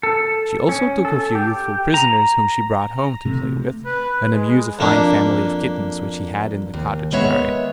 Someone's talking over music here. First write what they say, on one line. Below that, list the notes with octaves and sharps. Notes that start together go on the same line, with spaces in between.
She also took a few youthful prisoners, whom she brought home to play with and amuse a fine family of kittens, which she had in the cottage garret.
A4
C#4
A4
G4
A#5
C3 A3
B4
G#3
F2 A#3 D4
D#2
D#2 G#3 B3 C#5 E5